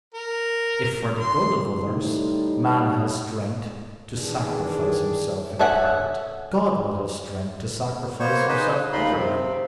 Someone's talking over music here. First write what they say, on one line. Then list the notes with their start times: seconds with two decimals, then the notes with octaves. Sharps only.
If for the good of others, man has strength to sacrifice himself in part, God will have strength to sacrifice Himself utterly.
0.14 A#4
1.21 C6
1.85 A2 G3 A3 D#4
4.16 D#3 E3 G3 D4 G#4
5.59 A4 C#5 E5 F#5 G#5
8.20 A#3 B3 C5 C#5 C#6
8.49 D#4 G#4 B4 C5 D#5
8.93 D#2 C#3 D#4 F4 B5 C6
9.18 C3 C4